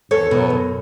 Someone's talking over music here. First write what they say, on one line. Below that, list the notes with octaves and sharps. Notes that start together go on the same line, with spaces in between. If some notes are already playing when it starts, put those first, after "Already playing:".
At all.
E2 A4 C#5
B2
F#2